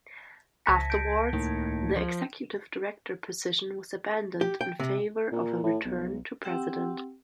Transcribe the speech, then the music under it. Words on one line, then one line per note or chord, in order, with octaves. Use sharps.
Afterwards, the Executive Director position was abandoned in favor of a return to "President".
C#2 A5 G#6 A#6 B6 C#7
G6 D7
D#2 A2 D#3
F3
G4
G5
C3
A#2
A2
B1
C4 G4 F#5 G5 C6 E6